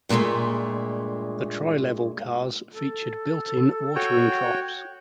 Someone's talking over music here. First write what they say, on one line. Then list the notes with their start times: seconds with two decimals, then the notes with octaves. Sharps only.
The tri-level cars featured built-in watering troughs.
0.09 G2 A#2 F#3 G#3 A3
2.73 A4
3.96 F#4 C#5 G5